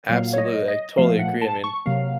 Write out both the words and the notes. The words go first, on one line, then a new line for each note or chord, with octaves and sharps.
Absolutely, I totally agree, I mean,
A#2 F#3 A#3 F5
C#5
D#5
D#5
A#2 F3 A3 F5
F#5
A5
C#6
C3 F#3 A#3 F5